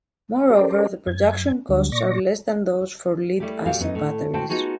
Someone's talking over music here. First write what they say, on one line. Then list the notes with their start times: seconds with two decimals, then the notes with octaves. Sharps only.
Moreover the production costs are less that those for lead-acid batteries.
0.50 C#4 G4 A4 A#4 C5 D5
1.07 F#2 G#6
1.69 D2 D3 F#3 G3
1.92 A#2 D5 C#6 A#6
3.40 G3 A3 E4 G4
3.66 A#2 G3 F#4 G4 F5
3.79 F#2 B3 D#4 D#5
3.95 A2
4.34 A2 F#4 C5 G5 A5
4.49 B3 D#4 F4 F#4 G#4